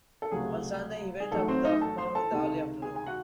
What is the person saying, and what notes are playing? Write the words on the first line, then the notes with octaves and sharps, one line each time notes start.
On Sunday he went up to the farm in the early afternoon.
A4
C#2 C3 F#3 A3 G#4
G#4
A1 G#2 F#3 A3 A4
C4 C5
D#4 D#5
A4 A5
C5 C6
A4 A5
C#2 C3 D#3 G#3
G#4 G#5
G#5
F#4 F#5